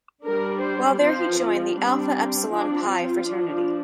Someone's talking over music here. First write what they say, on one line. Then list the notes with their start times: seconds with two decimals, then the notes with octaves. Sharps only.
While there he joined the Alpha Epsilon Pi fraternity.
0.24 G3 D4 A#4
0.62 C5
1.00 F3 C4 C5
1.38 F4
1.75 G3 C4 D4
2.50 F3 C4 D4
2.88 F4
3.26 F3 D4